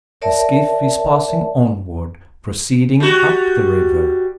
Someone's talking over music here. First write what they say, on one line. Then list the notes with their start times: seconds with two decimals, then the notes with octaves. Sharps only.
The skiff is passing onward--proceeding up the river!
0.22 A#4 C#5 D5 E5 A5
3.00 G3 F#4